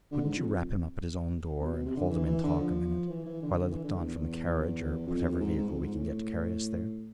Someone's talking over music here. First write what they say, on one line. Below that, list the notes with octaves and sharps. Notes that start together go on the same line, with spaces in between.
Couldn't you rap him up at his own door, and hold him in talk a minute, while I looked on from the carriage or whatever vehicle we can get to carry us there?
D3
G#2
F2
F2
B2
B2
C3
D3
E3
E3
D3
F3
E3
E3
D3
D3
E3
D3
E2
F2
F2
G#2
G#2
F2
G#2
A2